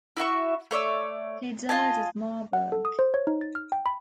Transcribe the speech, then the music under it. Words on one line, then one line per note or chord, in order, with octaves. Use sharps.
He died at Marburg.
E4 F#4 E5 C#6
A3 C#5 D5 E6
F4 D#5 G#5 A5
F#5
A4
D#6
C5
C#5
D#4
A6
F6
G5
B5